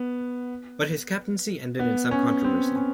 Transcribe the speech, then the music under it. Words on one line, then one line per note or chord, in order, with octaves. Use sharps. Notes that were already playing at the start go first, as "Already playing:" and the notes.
But his captaincy ended in some controversy.
Already playing: B3
B3
C#4
C4
C#4